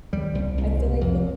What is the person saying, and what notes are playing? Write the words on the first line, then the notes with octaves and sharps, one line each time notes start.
I feel like the
D#2 G3
C2
C2
C3
F2